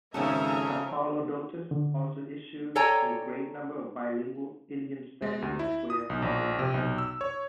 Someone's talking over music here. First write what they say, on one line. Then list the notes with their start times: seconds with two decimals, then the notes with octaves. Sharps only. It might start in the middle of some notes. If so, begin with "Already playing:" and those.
Apollodotus also issued a great number of bilingual Indian-standard square coins.
0.14 G#1 C#3 F3 C#4 A4 E5 G#5 A#5
1.71 D3
2.76 A4 C#5 D5 G5 G#5 A#5
5.22 G#3
5.42 D2
5.59 E4
5.90 D#6
6.10 B1
6.22 A#1
6.59 C3
6.74 B1
6.98 E6
7.21 C#5